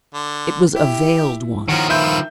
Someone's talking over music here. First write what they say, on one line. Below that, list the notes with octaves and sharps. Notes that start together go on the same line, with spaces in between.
It was a veiled one.
D3
E4 G4
D#3 F3 C#4 F#4 A#4
F4 B4 E5 E6 G6